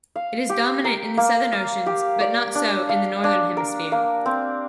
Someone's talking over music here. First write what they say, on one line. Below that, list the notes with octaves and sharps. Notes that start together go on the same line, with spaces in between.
It is dominant in the Southern Oceans, but not so in the Northern Hemisphere.
F5
G4
A#4
A#3
F5
G4
D5
D4
F5
D4
A#4
A#3
C4